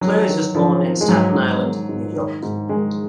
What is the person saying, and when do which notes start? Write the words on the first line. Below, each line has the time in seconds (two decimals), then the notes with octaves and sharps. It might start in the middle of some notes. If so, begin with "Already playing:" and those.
Close was born in Staten Island, New York.
0.01 D#3 F#3
0.28 D#3
0.55 D#3 F3
0.82 D#3
1.01 G#3
1.08 G#2 F#3
1.35 G#2
1.63 D#3
1.89 G#2
2.16 D#3
2.42 G#2
2.69 D#3 G#3